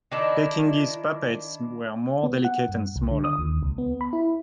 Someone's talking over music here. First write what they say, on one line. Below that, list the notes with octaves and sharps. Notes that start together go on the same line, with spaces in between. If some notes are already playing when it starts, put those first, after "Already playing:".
Pekingese puppets were more delicate and smaller.
D#3 D4 E4
B3
F#5
G2
C2
D3
D#6
D#2
C#2
B3
B5
E4